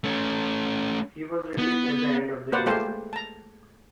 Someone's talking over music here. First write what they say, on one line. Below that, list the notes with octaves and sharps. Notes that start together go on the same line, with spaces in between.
He was released at the end of the year.
A3 C#4
B3
A#3 B4 C5 D5 F#5
G#3 A3 G4 C5 F5 A5
A5 A#5